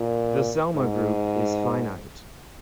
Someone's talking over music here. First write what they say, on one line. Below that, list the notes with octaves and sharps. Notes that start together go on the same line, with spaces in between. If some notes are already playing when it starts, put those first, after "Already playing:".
The Selmer group is finite.
Already playing: A#2
G#2